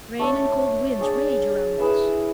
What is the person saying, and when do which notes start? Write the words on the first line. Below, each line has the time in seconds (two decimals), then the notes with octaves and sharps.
Rain and cold winds rage around us.
0.19 A3 D4 A4 C#5
0.99 D4 G#4 C#5
1.78 E4 G#4 B4 E5